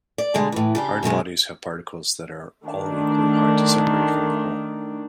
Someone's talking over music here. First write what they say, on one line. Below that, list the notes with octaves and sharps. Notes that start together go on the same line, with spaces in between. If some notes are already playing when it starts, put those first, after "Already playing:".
Hard bodies have particles that are all equally hard to separate from the whole.
D5
B2 D3 G3 G#3
A2 E3
C#3 D4 G4
F#2 B2 D#3 G#3
D#3 A3 D4